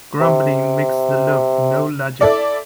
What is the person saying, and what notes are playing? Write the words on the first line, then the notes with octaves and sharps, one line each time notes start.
Grumbling makes the loaf no larger.
C3
E4 A4 D5